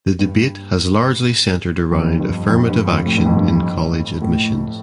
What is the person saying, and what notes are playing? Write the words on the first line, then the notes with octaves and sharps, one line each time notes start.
The debate has largely centered around affirmative action in college admissions.
G2
F2
G2
F2
G2
F2
A2
G2
F2
G2
A2